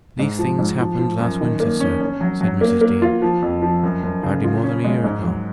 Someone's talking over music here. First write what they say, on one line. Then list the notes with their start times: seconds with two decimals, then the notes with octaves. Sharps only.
'These things happened last winter, sir,' said Mrs. Dean; 'hardly more than a year ago.
0.19 G#2
0.39 F3
0.59 G#2
0.80 F3
0.99 F3
1.19 F#2
1.41 D#3
1.60 A#3
1.80 C#4
2.01 C#4
2.21 F#3
2.41 F#3
2.61 A#3
2.81 A#3
3.02 F4
3.22 F3
3.42 F2
3.62 F3
3.83 F#2
4.03 F#2
4.23 C#3
4.44 F4
4.64 C#4
4.84 G#3
5.04 G#2
5.24 F#3